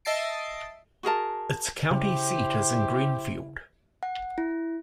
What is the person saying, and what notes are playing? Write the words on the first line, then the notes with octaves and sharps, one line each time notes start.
Its county seat is Greenfield.
D#5 E5 A5 A6 C7 D7
F#4 G#4 A#4 A5
C#3 E4 G4 C5
F#5
E4